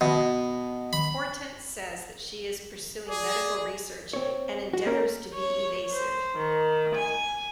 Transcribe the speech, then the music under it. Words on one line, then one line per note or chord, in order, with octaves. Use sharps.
Hortense says that she is pursuing medical research and endeavours to be evasive.
B2
B5
G#4 D5
C4 C#5
F#4
A#3 C#4 A#4
C#5
C5
D#3
G#5